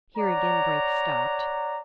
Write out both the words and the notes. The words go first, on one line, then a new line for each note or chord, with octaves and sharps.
Here again Braith stopped.
C#5 D5 F#5 A#5